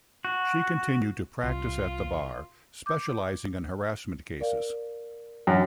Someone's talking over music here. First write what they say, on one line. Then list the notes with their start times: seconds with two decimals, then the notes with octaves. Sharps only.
She continued to practice at the Bar, specialising in harassment cases.
0.25 F#4
1.44 C2 F4
2.86 D6 G6
4.40 A#4 D5 F5
5.47 F#2 D4 G#5